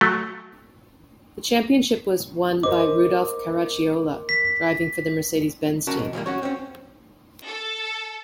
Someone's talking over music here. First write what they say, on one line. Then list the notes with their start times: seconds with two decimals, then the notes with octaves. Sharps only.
The championship was won by Rudolf Caracciola, driving for the Mercedes-Benz team.
0.01 F#3 A3
2.63 A#4 C5 D#5 D6
4.29 B6
5.87 C#4 F#4 A#4 A5
5.99 B1
6.13 E3 F3 G3 A#3
6.26 C#4 F#4 C#5
6.43 C4 C#4
7.45 A4